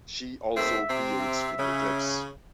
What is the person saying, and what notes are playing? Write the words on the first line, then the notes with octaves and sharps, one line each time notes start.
She also creates video clips.
D#2 A3 C4 E5
C3 C4
E5
C#3